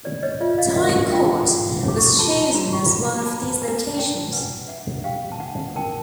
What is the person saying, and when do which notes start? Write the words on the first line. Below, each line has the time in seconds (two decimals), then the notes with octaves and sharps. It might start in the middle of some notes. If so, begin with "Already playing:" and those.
Tyne Cot was chosen as one of these locations.
0.04 C#5 D5
0.23 C#5 D#5
0.41 F4 D5 E5
0.58 D#5 F5
0.70 F5
0.76 A#4 E5 F#5
1.07 F#5
1.12 F4 F5 G5
1.48 G#4 F#5 G#5
1.83 C#4
1.88 D6
1.98 C#6
2.09 C6
2.19 F4 A5 B5
2.36 G#5 A#5
2.54 C5 A#5 C6
2.73 B5 C#6
2.90 F#4 A#5 C6
3.18 A#5
3.25 F#4 A5 B5
3.61 B4 G#5 A#5
3.97 B4 G5 A5
4.33 B4 F#5 G#5
4.68 D4 E5 F#5
5.04 G4 F5 G5
5.32 A5
5.40 D4 F#5 G#5
5.75 A#4 G5 A5